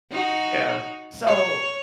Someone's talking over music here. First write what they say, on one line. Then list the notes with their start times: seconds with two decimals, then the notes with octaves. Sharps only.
yeah, so
0.11 D#4 F#4
1.26 C#5